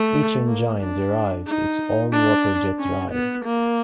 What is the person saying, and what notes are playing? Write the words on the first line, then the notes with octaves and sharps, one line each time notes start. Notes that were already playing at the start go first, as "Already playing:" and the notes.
Each engine drives its own water jet drive.
Already playing: A3
A#3
D4
D#4
D4
C#4
B3
A#3